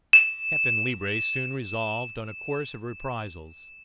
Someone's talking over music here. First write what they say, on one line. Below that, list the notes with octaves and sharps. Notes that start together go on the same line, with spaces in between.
Captain Leebrace soon resolved on a course of reprisals.
E7